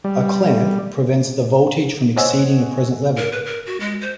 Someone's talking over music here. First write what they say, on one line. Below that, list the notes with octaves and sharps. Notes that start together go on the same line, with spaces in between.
A clamp prevents the voltage from exceeding a preset level.
G3
C5 C#5 D#5 F#5 G#5 E6
A#4
B4
A#4
F#4
G#3
C5